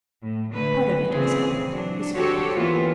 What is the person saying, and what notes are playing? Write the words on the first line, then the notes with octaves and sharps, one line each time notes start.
"Part of it, Miss Holland," he smiled.
A2
D3 A3 B4
A#2 C#3 E3 C4 G#4
F#3 D4
D4 F#4 G4 A4 C5 C#5
E3 A#3 B3 F4